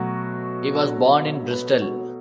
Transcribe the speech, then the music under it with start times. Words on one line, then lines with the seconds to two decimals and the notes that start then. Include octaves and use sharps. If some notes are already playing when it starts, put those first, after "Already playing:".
He was born in Bristol.
Already playing: B2 F#3 A3 F#4
1.51 B4
1.81 F#4